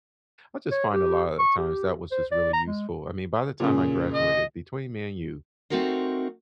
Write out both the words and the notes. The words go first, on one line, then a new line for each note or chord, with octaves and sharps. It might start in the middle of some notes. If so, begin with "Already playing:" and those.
I just find a lot of times that was just really useful, I mean, by the time I graduated, between me and you,
C#5
G4
C#6
G4
C5
D5
A#5
G#3
A#2 C#3
D#5
A3 C4 D#4 F#4 A#4 C5